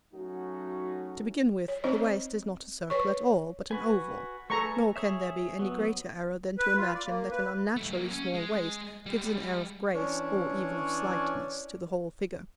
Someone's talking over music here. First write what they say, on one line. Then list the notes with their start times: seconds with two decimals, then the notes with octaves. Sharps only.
To begin with, the waist is not a circle at all, but an oval; nor can there be any greater error than to imagine that an unnaturally small waist gives an air of grace, or even of slightness; to the whole figure.
0.14 F#3 A3 C#4 D#4 F#4
1.68 C#5
1.84 C4 D#4 C5 D#5
2.90 B4 C#5 C#6
3.71 F#4 B4 G#5
4.50 A3 A4 B4 G#5 A#5 C#6
4.96 G#4 C#5 E5
5.59 F#3 B3
6.58 B4
6.77 F4
6.94 D5
7.06 A#3
7.31 B4
7.76 G2 A3
7.92 F#3 A#3
8.09 C#4
8.34 G#3
9.06 G3 G#3
9.94 E3 C#4 D4 C#5